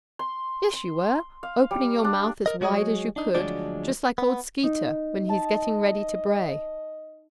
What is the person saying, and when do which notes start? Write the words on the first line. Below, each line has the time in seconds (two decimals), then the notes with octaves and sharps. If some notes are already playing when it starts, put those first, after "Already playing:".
"Yes, you were; opening your mouth as wide as you could, just like old Skeeter when he's getting ready to bray."
0.19 C6
0.73 C6
1.43 F5
1.71 G3
2.04 D4
2.46 A#4 D#5
2.61 F#3 G#3 F#4 G#4 C#5 D#5
3.16 D4 D#4
3.35 D2 F3 F#3 G#3 D4 D5
4.18 B3
4.63 D#4
5.29 D#5 A5